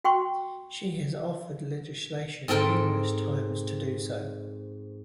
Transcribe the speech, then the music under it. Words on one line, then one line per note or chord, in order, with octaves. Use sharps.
She has offered legislation numerous times to do so.
F#4 G5 C6 C#6
G#2 C4 A4 A#4 G5